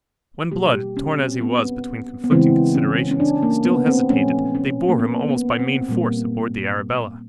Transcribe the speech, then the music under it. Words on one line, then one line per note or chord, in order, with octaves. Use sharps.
When Blood, torn as he was between conflicting considerations, still hesitated, they bore him almost by main force aboard the Arabella.
B2 G3 A#3 G4
G4
C#4
C4
B3
B3
C#3 E3 G#3 C4
C#4
C#4
D4
A#3
B3
C4
A#2 F3 A3 C#4
C#4
A#3
B3
B3
C4
A#2 G3 A#3